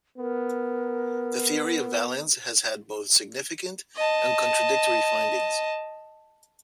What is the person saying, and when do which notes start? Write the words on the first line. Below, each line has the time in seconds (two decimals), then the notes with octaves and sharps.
The theory of valence has had both significant and contradictory findings.
0.18 B3 A#4
3.96 D#5 A5